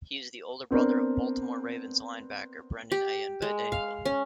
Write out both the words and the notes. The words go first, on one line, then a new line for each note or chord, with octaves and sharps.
He is the older brother of Baltimore Ravens linebacker Brendon Ayanbadejo.
B3 C4 D4 A#4
G4
G#3
F5
C#4